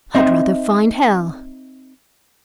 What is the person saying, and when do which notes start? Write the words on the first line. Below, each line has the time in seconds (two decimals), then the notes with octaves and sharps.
I'd rather find hell!
0.15 C4 D#4 D#5 E5